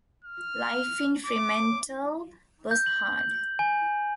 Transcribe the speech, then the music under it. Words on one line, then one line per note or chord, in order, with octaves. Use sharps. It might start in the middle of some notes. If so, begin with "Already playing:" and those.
Life in Fremantle was hard.
F6
D6
G6
F#7
G6
G#5